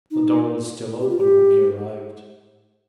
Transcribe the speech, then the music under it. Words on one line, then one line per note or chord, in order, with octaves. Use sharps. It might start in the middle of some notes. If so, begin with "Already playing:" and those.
The door was still open when he arrived.
D#4
G4
F4
G4